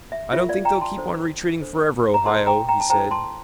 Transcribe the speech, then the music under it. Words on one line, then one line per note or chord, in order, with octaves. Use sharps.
"I don't think they'll keep on retreating forever, Ohio," he said.
E5
F4 A#4 E5
D5 F5
G5 A#5
A5 C6
D4 A4 C5
D4 A4 C5
A#5
E4 A4 C5 A5 C6
G5 A#5
G5 A#5
A5
E4 A4 C5 G5 A#5
A5 C6